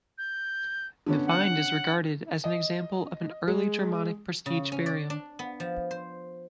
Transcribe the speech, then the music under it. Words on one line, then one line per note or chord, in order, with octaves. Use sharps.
The find is regarded as an example of an early Germanic prestige burial.
G6
D3 B3 C#4
F#5
D#5
G#3
C#3
C#4
D5
D4
B3
F3
C5